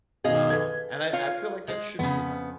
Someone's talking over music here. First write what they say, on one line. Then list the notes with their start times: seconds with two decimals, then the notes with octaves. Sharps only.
Um, and I I feel like that should be enough.
0.24 B2 D#3 G#4 D#5 F5
0.50 A4 B4 G#6
1.13 F4 C#5 F5
1.68 G#3 G#4
1.99 F2 C#3 B3